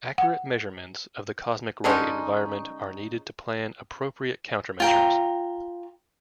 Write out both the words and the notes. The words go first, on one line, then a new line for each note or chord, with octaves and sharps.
Accurate measurements of the cosmic ray environment are needed to plan appropriate countermeasures.
F#5
D3 G#3 C#4 D#4
F4 G5 A#5